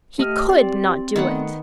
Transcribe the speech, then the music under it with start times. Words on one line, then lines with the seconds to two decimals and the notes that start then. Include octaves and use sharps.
He COULD not do it!
0.19 A3 G4 D#5 F6
0.50 C4 D5
1.16 D#3 A3 B3 F#5